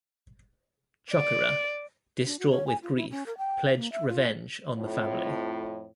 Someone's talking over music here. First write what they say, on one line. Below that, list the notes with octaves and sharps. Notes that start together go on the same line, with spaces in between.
Chocorua, distraught with grief, pledged revenge on the family.
D5
D4
F#4
C#5
G#5
F4
E4
C#4
A#4
G5
A#3
E5
F4
F2 A2